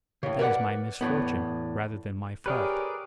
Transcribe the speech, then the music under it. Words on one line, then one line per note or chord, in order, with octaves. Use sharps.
"That is my misfortune, rather than my fault."
A2 C#3
A#4 B4 C#5 D5 F#5
E2 A2 B3
G4 G#4 A#4 B4 C#5 D5